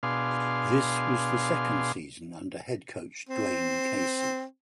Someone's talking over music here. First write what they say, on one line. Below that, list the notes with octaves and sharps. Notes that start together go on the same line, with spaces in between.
This was the second season under head coach Dwane Casey.
B2 D4 G#4 F5 C6
C4